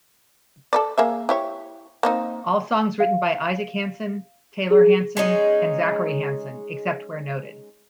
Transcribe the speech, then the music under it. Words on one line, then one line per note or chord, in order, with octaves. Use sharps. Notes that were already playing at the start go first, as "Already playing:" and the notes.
All songs written by Isaac Hanson, Taylor Hanson and Zachary Hanson, except where noted.
A4 B4 D5
A#3 G#4 E5
E4 G4 C#5
A#3 C4 D#4
F5
G#4
G#3 C#4 D#4